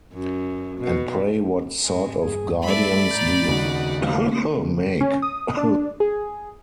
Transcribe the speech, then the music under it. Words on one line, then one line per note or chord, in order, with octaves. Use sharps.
And pray what sort of guardians do you make?
F#2
B2
G#2 G#3
G2 G#4
G3 A3 A4 D5 E5 B5
A2 A#5 G6 A6
D#2 C#3 D#4 F#4 F#5
F5
C#4
D#6
D4
G#4